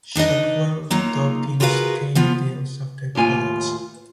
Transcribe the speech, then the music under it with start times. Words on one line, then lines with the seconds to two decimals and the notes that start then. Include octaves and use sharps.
Shotwell taught in Skaneateles after college.
0.15 D4 D#4 B4 D#5
0.90 F#3 A#3 D#4 F4
1.60 F4 F#4 G#4 A#4 B4 F5
2.15 F3 B3 F4
3.15 D#2 A2 F4 G#5